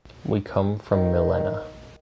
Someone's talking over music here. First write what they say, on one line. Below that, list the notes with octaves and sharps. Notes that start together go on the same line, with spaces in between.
We come from Millena.
D#3